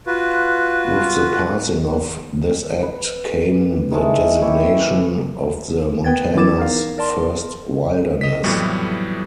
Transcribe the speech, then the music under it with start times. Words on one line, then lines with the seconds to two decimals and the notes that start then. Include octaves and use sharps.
With the passing of this Act came the designation of the Montana's first Wilderness.
0.06 F4 F#4 B4
2.83 B4
3.91 D#3 E3 G#3 A3
4.42 E4 G4 C#5
6.04 B3 B4 G5 G#6 A6
6.36 E3 B3 E4 D6 A6 E7
6.58 D#4 A#4 F5
6.98 A#4 D5 A5 C6
8.21 D#5 B6
8.44 F2 A2 E3 F#3 G3 B3